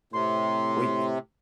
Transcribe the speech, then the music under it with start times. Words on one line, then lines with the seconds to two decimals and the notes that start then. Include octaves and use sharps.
wait it
0.13 A2 C3 C6